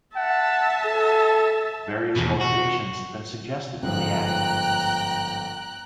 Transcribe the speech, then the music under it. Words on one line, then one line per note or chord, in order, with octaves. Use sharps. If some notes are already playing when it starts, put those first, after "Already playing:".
Various motivations have been suggested for the Act.
E5 F#5 A5
A4
E2 B2
F#4
G1 G#2 F3 G5 A#5 F#6